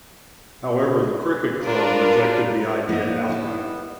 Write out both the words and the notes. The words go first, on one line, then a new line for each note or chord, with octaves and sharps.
However, the Cricket Club rejected the idea outright.
D4 F4 A#4 B4
A#3 B3 D4 D#4
G3 D#4 E4